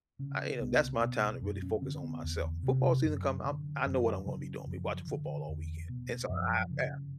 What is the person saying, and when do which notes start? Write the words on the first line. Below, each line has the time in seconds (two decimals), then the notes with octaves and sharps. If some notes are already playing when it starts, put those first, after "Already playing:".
I you know, that's my time to really focus on myself. Football season come, I'm I know what I'm gonna be doing, be watching football all weekend and so, I Yeah,
0.19 C#3 C#4
0.60 C2 B3
1.01 B2
1.42 F#2
1.62 C#4
1.82 D3 C4
2.02 B3
2.24 E2
2.63 C3
3.04 F#2
3.45 D3
3.86 F#2 F#3
4.26 C#3 F#3
4.67 F#2 F3
5.07 D3
5.48 E2
5.89 B2
6.29 F#2 F3
6.70 C#3